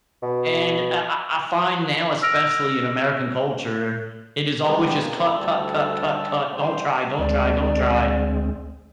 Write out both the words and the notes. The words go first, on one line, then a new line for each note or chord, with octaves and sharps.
And I I I find now, especially in American culture, it is always just, cut, cut, cut, cut, cut, don't try, don't try, don't try,
B2
E6 F6 A#6 D7 F7
G3 G#3 B3 C4 D4
B2 A#3
G#2 A#3 C4 C#4 E4
D2 G3 A4 A5 E6
G3 C5
D2 G#3 C4 D5